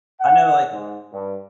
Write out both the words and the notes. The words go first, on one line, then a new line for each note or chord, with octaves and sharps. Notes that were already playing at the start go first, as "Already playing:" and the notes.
I know, like
F#5
G#2
G2